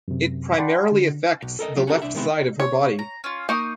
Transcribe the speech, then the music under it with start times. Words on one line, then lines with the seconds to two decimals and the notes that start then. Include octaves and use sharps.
It primarily affects the left side of her body.
0.08 F#2 C3
0.58 D5 F#5 G5 A5 B5 C6
0.92 D3
1.42 B1
1.59 A4 A#4 D#5
1.76 F#3 C4 F4 G4
1.87 C#4 F#4 G4 A4 A#4
2.02 C2 D4 E5
2.15 C3 D#3 G#3 B3 C4 E4
2.60 C#5
2.99 A#5
3.24 C#4 F4
3.49 A#3 D#4 C#6 D#6